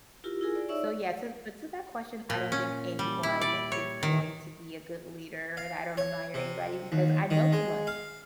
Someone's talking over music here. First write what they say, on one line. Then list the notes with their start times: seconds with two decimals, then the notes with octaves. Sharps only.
So yeah. So but to that question, I don't think anyone is going to be a good leader, and I don't admire anybody because I know too much.
0.24 E4 F4 G4 A#4
0.41 E4 F4 G#4 A#4 G#5
0.55 D5
0.69 D#4 C#5 D5 E5 C#6 E6
0.85 C#5
2.30 A#2
2.52 C#4
2.99 G3
3.23 E4
3.41 D5
3.72 C#5
4.03 D#3
5.57 F5
5.97 C#5
6.34 C3
6.92 D#2
7.30 D#3
7.53 G#3
7.87 F5